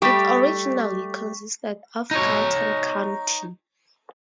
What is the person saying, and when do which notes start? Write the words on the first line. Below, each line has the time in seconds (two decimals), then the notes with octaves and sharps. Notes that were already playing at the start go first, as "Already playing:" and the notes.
It originally consisted of Carleton County.
0.02 G3 A3 G4 C#6 B6
2.11 D#4 C#5